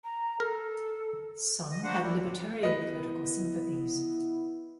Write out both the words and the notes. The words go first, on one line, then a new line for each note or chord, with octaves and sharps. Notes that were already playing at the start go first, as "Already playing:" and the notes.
Some had libertarian political sympathies.
A#5
A4 A#4
D#5
A#3 D4 F#4 C5 F#5
G3 A#3 D4 E4
A2 C3
B3 E4 B4 D#5